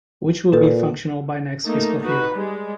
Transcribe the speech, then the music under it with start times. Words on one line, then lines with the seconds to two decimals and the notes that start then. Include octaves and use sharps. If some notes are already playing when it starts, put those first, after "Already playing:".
Which will be functional by next fiscal year.
0.52 A#2 F4 A4 B4
1.67 A3 A#3 D#4
2.03 D#4 F#4 B4
2.35 G3 G#3